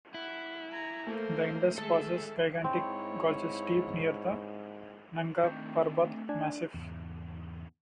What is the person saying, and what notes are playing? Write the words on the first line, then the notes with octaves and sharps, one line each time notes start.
The Indus passes gigantic gorges deep near the Nanga Parbat massif.
E4 F#5
G#5 A#5
A3 A#3 A4 A#4 C5
D#3 G#3 G#4 A4 E5 A5
G#2 C4 E4 C#5
D#3 A3 C4 D4 D#5 C#6 G6
D4 G#5
E2 G#2 C#3